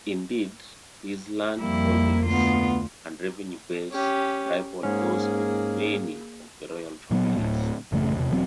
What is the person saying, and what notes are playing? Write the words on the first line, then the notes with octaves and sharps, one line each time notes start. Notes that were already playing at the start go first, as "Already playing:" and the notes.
Indeed, his landholdings and revenue base rivalled those of many of the royal families.
F2 G3 A#3 E4
D2 B3 F4
C#4 G4
G#2 A#3 C#4 G#4
A#2 F#3 A#3 B3
D1 G1 A2
A1 F#2 C#3 A3
E2 C3
E1 E2 F#3 C4